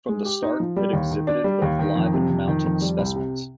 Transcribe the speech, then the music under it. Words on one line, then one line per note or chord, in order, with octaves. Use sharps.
From the start it exhibited both live and mounted specimens.
G#3
G4
D#4
F3
G3
D#2
D#3
D4
G3
D#2
D#3
F2
C3
F2
D#3
F2
G3
C2
C3